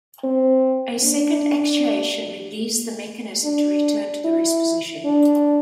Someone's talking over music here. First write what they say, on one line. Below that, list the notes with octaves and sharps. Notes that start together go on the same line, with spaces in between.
A second actuation released the mechanism to return to the rest position.
C4
D4
D4
E4
D4